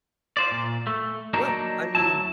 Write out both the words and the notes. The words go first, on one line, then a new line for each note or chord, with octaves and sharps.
Well, I mean,
F4 C5 D5
A#2
A3
F#3 A#3 D4 D#4
D2 F#3 D#4 E4 A5